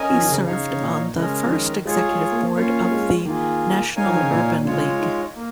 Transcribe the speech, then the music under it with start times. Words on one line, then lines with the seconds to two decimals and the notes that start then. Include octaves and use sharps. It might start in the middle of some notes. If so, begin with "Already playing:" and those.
He served on the first Executive Board of the National Urban League.
Already playing: C#4 A#4 D#5 G#5
0.11 F3
0.20 D#3
0.29 C#3
0.46 C#3 D#4 C#5 F5
0.71 C#3
0.81 A#2
1.16 C#3 G#3 C#4 A#4
1.43 F3
1.51 D#3
1.85 G#3 F4 G#4 C#5
2.09 G#3
2.32 A#3
2.56 A#3 C#4 F4 C#5 F5
2.80 A#3
2.91 G#3
3.25 D#3 A#3 F4 G#4
3.96 D#4 A#4 C#5 F5 G#5
4.06 F3
4.14 D#3
4.22 C#3
4.31 A#2
4.56 A#2
4.65 C#3 G#3 F4 C#5
5.00 D#4
5.36 A#3